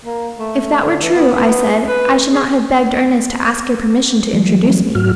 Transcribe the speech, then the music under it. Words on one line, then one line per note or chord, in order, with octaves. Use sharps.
"If that were true," I said, "I should not have begged Ernest to ask your permission to introduce me."
A#3
A3
D3
E3
B3
B4
G#4
E3 F#3 G3 A3
G#2 F#3 F#4 F6